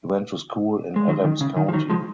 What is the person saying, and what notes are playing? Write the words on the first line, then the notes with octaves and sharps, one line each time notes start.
He went to school in Adams County.
G#3
D#3 F#3
D#3
C#3
D#3
F3
D#3 F#3
F3 G#3